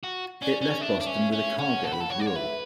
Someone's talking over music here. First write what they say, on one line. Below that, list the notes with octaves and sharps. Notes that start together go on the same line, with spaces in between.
It left Boston with a cargo of wool.
F#4
C#4 D5
C#4
D4 E5
D4
C#4
C#4
C#4 F#5
A4
B4
A4
C#5
D5
C#5
B4 E5